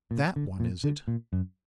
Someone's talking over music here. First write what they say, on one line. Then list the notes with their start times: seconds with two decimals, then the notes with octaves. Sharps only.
'That one, is it?
0.11 A#2
0.36 D3
0.60 A#2
0.84 D3
1.08 A#2
1.33 F#2